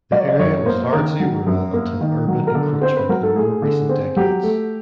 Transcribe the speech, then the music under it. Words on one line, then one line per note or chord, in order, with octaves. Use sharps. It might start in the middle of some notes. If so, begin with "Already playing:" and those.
The area was largely rural until urban encroachment in more recent decades.
F#3 D5
C#5
D5
F#2 C#5
A#3 C5
D#3 A#4
F#3
F#2
A#3
D#3
F#3
A#4
D3 A4
C4 C5
B4
F#3 A#4
A4
A3 G#4
D3
C4
F#3 G4
A3